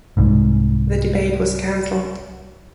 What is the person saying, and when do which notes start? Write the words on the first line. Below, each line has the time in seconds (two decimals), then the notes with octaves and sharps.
The debate was canceled.
0.17 C2 G#2